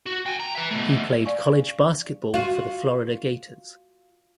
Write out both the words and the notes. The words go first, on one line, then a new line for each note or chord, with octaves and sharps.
He played college basketball for the Florida Gators.
F#4
G5 G#5
A#5
B4 E5
B2 A3
D5 F5 G#5 C#6
F4 F#4